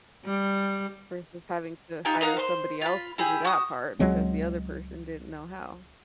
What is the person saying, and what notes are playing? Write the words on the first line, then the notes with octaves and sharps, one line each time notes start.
versus having to hire somebody else to do that part because the other person didn't know how.
G3
D#4 F4 G4 G#5
D#4 A#4 F5 F#5
C5 C6
F4 B5
E4 G4 G#4
F#4 D#6
C#2 F#3 G#3 C4